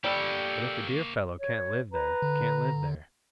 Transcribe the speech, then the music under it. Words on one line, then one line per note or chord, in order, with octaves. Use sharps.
But if the dear fellow can't live there, he can't live there.
G3 A#3 G4 A4 C#5
C#5
B4 A#5
D3